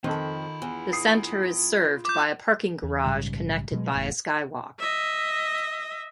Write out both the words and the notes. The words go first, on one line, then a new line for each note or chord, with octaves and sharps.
The center is served by a parking garage connected by a skywalk.
F2 D#3 F4 A4 B5
E2
D#6 C7
D6 G6
E2
A#1 G#2 C#3 G3
B2 F#3 G#3
F#1 E2 A2
D#5 E5